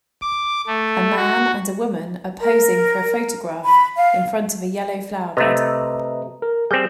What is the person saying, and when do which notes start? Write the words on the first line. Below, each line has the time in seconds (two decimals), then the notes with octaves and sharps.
A man and a woman are posing for a photograph in front of a yellow flowerbed.
0.22 D6
0.67 A3
1.16 F#4
2.40 A#4
3.65 B5
3.96 F5
5.37 C3 A3 B4 D#5 A#5
6.42 A#4
6.71 G3 C4 G#4 G6